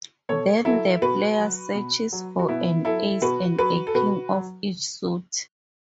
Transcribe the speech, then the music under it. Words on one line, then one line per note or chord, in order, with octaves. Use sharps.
Then the player searches for an Ace and a King of each suit.
B2 A4 C#5
F#3 E4 A4
B2 F#4 B4
F#3
B2
F#3
F#4
B2 B3 E4
F#3 E4 A4
B2 F#4 B4
F#3 F#4 B4
A4
B2 F#4 B4
F#3